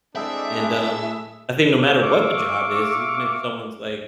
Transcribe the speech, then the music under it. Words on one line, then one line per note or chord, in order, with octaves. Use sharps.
And, um, I think no matter what the job is, even if someone's like
G#3 C4 D4 E4 G#4 A4 E5
E5 F5 C#6 D6